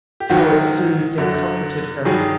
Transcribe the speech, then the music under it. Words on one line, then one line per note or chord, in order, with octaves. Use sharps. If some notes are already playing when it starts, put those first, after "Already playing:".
How it soothed and comforted her.
G4
G#2 D#3 F#3 F#4
F#2 D3 F#3
G2 D#3 F#3 G#4